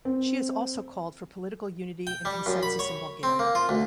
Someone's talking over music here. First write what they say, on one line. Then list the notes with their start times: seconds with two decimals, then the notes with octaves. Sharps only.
She has also called for political unity and consensus in Bulgaria.
0.05 C4
2.07 G5
2.25 G3
2.46 F#2
2.63 B5
2.79 C#5
3.23 C4
3.39 A#3
3.55 F4
3.69 D2